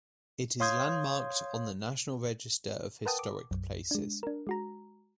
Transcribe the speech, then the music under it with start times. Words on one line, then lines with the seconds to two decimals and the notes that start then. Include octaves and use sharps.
It is landmarked on the National Register of Historic Places.
0.60 C#5 F5 C6 D#6 G6 G#6
3.06 A#4 B4 F#5 G5 A5 D#6
3.19 D6
3.51 B1 F#2
3.91 G#3 D4
4.23 D4 A#4
4.47 G#3 F#4 A#5